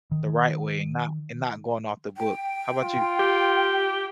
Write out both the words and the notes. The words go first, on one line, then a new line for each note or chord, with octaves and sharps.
the right way and not and not going off the book. How 'bout you?
D#3
G5
F4
G4